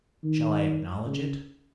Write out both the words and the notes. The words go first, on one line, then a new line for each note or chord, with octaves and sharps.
Shall I acknowledge it?
D#3
C#3